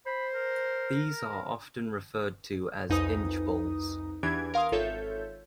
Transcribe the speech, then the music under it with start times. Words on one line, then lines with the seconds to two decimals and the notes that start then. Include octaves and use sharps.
These are often referred to as inch balls.
0.06 C5 B5
0.35 A#4
2.89 C2 F2 D#4 B4 G#5 D#6
4.23 E2 E3 D4 G4 G#6 D7
4.54 A#4 F5 C6 D#6
4.72 G#1 F4 A4 C#5 E5 G6